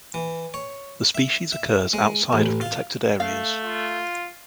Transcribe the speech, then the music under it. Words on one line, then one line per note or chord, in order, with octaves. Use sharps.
The species occurs outside of protected areas.
E3
C#5
E5
E5
G#3
A1
F4
A3 F5
F4